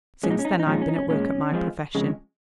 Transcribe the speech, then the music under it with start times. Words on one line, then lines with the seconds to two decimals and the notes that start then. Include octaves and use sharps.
Since then I've been at work at my profession.
0.23 G#3 C#4
0.28 A#2 D#4
0.39 C#4
0.45 D#4
0.52 C#4
0.60 D#4
0.66 A#2 F3 G#3 C#4
0.75 D#4
0.81 C#4
0.89 D#4
0.96 C#4
1.09 A#2 G#3 C#4
1.52 F2 F3 G#3
1.95 F2 C#3 G#3